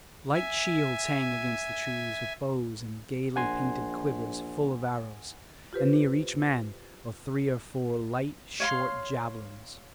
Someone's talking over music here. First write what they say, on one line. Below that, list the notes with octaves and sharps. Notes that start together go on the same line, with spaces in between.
Light shields hang against the trees with bows and gaily painted quivers full of arrows, and near each man are three or four light short javelins.
E5 G#5
A#1 F#5 G#5 C6
F4 G4 B4 C5
C#5 F5 C6